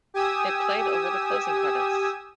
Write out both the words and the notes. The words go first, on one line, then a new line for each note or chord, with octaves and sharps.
It played over the closing credits.
G4 G#5 D#6 E6